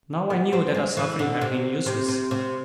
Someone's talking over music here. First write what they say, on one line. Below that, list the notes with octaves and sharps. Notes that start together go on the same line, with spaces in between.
Now I knew that our suffering had been useless.
B3
C4
G#3
E3
D3
C3
C3
C3
C3